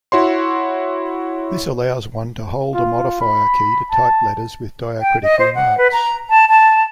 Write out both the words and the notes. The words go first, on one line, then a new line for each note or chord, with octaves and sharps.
This allows one to hold a modifier key to type letters with diacritical marks.
E4 F#4 C#5 C6
F4
B5
A5
G5
D#5
C5
F#5
B4
A#5
A5
A5